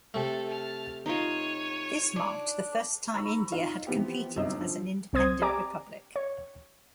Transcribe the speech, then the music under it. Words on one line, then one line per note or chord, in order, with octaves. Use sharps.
This marked the first time India had competed as an independent republic.
C3 A3 A4
A5 F6
D#4 F4 C#5 D#7
D4
A#5 B5 C#6 E6
D#4 F4 F5
E3 F3 B3 C4 G4
G1 F#2 C3 D#5 E6
D3 F3
C2 C4 C5 D#6 G#6
G4 D5 G#5 A#5 D6
C#5